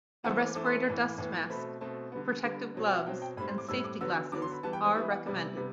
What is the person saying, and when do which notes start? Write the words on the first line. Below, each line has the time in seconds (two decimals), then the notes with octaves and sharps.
A respirator dust mask, protective gloves and safety glasses are recommended.
0.24 E3 A3 C4 F#5
0.40 D6
0.55 E3 A3 C4 D6
0.66 C6
0.87 A2 E3 B3
1.18 A2 E3 B3
1.50 B2 A3 C4 B5
1.81 B2 A3 C4 A5
2.12 D3 G3 B3
2.44 D3 G3 B3
2.74 B2 F#3 C4
2.90 E5
2.99 F#5
3.06 B2 F#3 C4 G5
3.22 G5
3.37 A2 B5
3.40 G3 C4
3.48 C6
3.58 D6
3.68 A2 G3 C4 E6
3.84 D6
4.01 D3 F#3 B3 E6
4.32 D3 F#3 B3 D6
4.42 C6
4.52 B5
4.63 E3 G3 B3 A5
4.73 G5
4.85 C5
4.95 E3 G3 B3 E5
5.10 F#5
5.26 C3 G3 B3 D5
5.57 C3 G3 B3